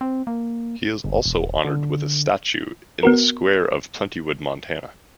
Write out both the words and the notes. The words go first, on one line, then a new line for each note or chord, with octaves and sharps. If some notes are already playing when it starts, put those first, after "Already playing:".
He is also honored with a statue in the square of Plentywood, Montana.
C4
A#3
G1
E1
D3
B3 F#4 A#4